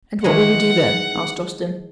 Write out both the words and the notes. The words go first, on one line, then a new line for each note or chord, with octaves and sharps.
"And what will we do then?" asked Austin.
D#3 E3 G#3 F#5